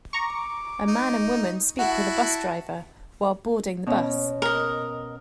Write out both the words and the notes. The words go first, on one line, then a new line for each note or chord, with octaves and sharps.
A man and woman speak with a bus driver while boarding the bus.
A#5 C#6 D6
D#4
E4 F#4 F#5 A5
B2 C#4
A#4 D#5